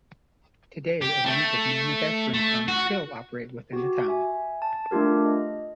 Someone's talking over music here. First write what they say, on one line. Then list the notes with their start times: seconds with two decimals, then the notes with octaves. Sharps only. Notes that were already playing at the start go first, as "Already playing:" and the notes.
Today a range of manufacturing firms still operate within the town.
1.02 G4
1.26 A3
2.34 A3
2.68 F#4
3.73 F#4 G4
4.08 E5 G#5
4.62 A5
4.91 A3 D4 F4 G4 A#4
5.26 D#5